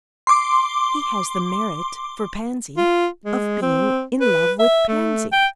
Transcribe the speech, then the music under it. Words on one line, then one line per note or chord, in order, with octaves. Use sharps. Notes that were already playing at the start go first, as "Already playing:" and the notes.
He has the merit--for Pansy--of being in love with Pansy.
C6 D6
F4
G#3
C4
B4
E5
A3
G5